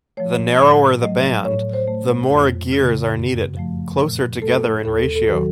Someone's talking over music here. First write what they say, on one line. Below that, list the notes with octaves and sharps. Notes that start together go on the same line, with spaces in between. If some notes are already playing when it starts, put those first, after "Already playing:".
The narrower the band, the more gears are needed, closer together in ratio.
F3 A3 C#5
A2
F#3 A3 D#5
A2 C#5
C5
A3
F2
C#3 A3
F#2
F3 A3
A#2
A3 A4
D#2 A4
A4
D#3 F#3 F#4